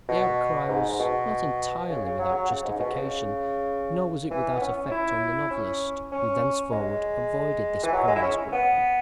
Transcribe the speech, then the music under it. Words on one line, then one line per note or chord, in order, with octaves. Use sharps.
The outcry was not entirely without justification, nor was it without effect on the novelist, who thenceforward avoided this perilous ground.
B2
G#2
G#2
B2
C#3
C#3
F#3
F#3
C#3
G#2
B2
C#3
E3
B3
C#4
E4
C#4
C#4
G#3
E3
F#3
G#3
E4
C#4
B3